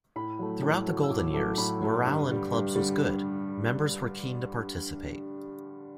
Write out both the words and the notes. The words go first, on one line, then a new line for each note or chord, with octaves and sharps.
Throughout the golden years morale in clubs was good, members were keen to participate.
A2 B5
F#3 A3
A2
F#3 A3
E6
A2 D6
F#3 A3 D6
A2 B5
F#3 A3
G2
D3 G3
G2
D3 G3